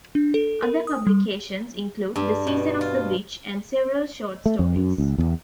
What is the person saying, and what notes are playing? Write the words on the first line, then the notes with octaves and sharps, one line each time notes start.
Other publications include "The Season of the Witch" and several short stories.
D4
A4
A#4
D#6
G3
G2
B2
F4
A3
F2
F#2
C#2
E2